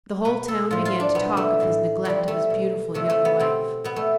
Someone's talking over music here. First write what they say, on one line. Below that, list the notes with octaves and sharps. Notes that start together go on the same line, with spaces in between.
The whole town began to talk of his neglect of his beautiful young wife.
B2 B4
A4
A2 F3 F4
F4
D4
B2 B3
A3
A2 E3
C3 F3 G3
A3
B2
C3 F3 A3
A3
B3
B2 C4
B2 B3
A3